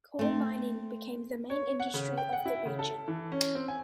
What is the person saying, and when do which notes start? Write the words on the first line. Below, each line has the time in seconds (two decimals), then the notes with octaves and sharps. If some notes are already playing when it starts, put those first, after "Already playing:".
Coal mining became the main industry of the region.
0.19 A3 C4
1.50 C#5
1.80 F#5
1.94 C#3
2.17 G5
2.33 F#5
2.45 E4
2.66 C#3
2.79 A4
3.08 E3
3.32 C#4
3.55 C4
3.68 G#5